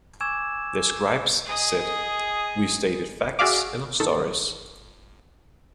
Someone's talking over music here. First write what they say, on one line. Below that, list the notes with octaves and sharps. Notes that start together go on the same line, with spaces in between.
The scribes said: We stated facts in our stories.
G#5 C#6 D6 E6 G#6 E7
G#4 D#5
F#4 G#4 D5 E5 F5 D6
G1 D#3 A4